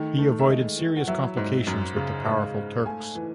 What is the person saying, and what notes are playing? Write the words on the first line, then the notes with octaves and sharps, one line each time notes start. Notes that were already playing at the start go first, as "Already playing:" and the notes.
He avoided serious complications with the powerful Turks.
Already playing: D#3 A3
A3
E5
G#3 D#5
E3
F#5
F#3 E5
G#2
F#2
C#3
G#2
G#2
A3 G#5
E3